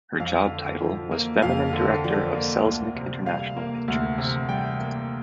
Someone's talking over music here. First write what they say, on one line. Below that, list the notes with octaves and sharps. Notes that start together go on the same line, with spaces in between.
Her job title was Feminine Director of Selznick International Pictures.
F2 F5
D3
F3
A#3
F2 F5
D3
F3 D5
A#3
D2
C3
G3 F5
A#3
D2
C3
G3 G5
A#3